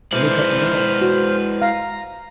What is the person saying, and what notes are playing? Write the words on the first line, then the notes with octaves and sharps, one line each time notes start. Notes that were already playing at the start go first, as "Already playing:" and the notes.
Look at Mills!
G#3 E4 B4 C5 D5 F6
F#4
F5 A#5